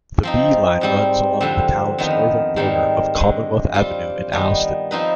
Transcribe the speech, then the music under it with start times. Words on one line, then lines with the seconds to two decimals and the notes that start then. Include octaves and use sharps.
The B line runs along the town's northern border of Commonwealth Avenue in Allston.
0.23 F3 C4 D#4
0.81 G#2 G3 C4
1.41 F2 D3 G3 C4
1.98 F2 D#3 B3
2.56 G#2 D#3 G3 C4
3.15 G2 D3 G#3
3.74 G3 C4 F4
4.32 D#3 G3 B3
4.91 F3 C4 D#4 B4